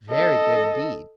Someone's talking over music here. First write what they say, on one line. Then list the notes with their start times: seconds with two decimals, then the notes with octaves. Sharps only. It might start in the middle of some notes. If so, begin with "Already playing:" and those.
"Very good indeed."
0.10 A4 D#5